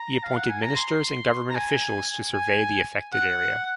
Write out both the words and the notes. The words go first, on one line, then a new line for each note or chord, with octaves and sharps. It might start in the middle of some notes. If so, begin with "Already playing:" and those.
He appointed ministers and government officials to survey the affected area.
Already playing: A#5
F5
F#5
G#5
A#5
C6
A#5
G#5
G#5
F#5